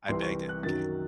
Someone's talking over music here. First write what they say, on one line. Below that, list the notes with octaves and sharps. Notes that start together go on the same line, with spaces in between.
I begged him. "Ca
C2 C3 E3 C6
C#6
F#6
F#2 D#3 F#3 A6